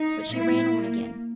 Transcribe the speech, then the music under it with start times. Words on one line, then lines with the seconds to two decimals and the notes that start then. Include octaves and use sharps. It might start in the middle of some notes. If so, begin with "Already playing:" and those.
But she ran on again.
Already playing: D#4
0.31 A#2 G#3 E4
0.69 A#3